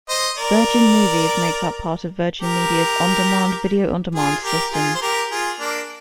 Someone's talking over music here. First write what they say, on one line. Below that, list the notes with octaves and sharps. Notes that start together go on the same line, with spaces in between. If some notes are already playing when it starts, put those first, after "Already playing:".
Virgin Movies makes up part of Virgin Media's "On Demand" video on demand system.
C5 D#5
A#4 D5
G4 A#4
F4 G#4
G4 A#4
F4 G#4
C5
G4 A#4
F4 G#4
A#3 D4